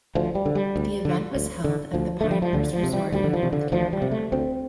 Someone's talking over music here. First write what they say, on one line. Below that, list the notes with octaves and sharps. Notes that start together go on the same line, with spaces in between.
The event was held at the Pinehurst Resort in North Carolina.
D2 F3
G3
D3
G3
D2
D3
D2
D3
D2 F3
D3 A3
G3
F3
D2 D3
F3
C3
G3
D2 G3
D3
F3
C3
D3
D2 F3
G3
C3
A3
D2 C4